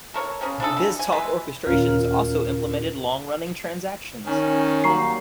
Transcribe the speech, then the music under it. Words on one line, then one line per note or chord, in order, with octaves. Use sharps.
BizTalk orchestrations also implement long-running transactions.
A4 A#4 C#5
C#3 C#4 G#4 A#4
D4 E4 G#4 A4
D3 E3
G#5
E3 G#3 B4
D#2 A#2 C#4 F4 A#4 F6
D#3 C#4
F#3 G3 A#3 A#5 C#6 C7